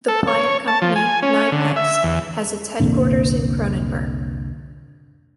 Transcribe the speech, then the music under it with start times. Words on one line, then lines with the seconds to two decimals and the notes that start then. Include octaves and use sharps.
The plier-company Knipex has its headquarters in Cronenberg.
0.08 A4
0.27 C#5
0.68 A5
0.82 F3
0.96 G#5
1.23 C#4
1.52 D3
1.76 E5
2.03 E2
2.80 C2 F2 A#2 D3